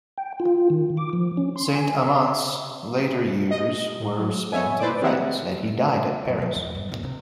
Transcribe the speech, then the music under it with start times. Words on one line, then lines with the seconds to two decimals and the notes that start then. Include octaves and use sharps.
Saint-Amant's later years were spent in France; and he died at Paris.
0.18 G5
0.40 F4
0.70 D#3
0.97 D6
1.13 F3
1.37 C#4
1.56 C6
1.74 G#5
3.51 D#5
4.00 A2
4.20 F#3
4.52 B3 C#5 E5 G#5
4.80 E4 B4 C5 D5 D6
5.02 C4 G4 G#4 E5 F#5 A#5
6.25 F#2 D#3
6.38 B2 F3
6.55 E2 E3
6.75 G2
6.89 D#2 B2
7.03 C3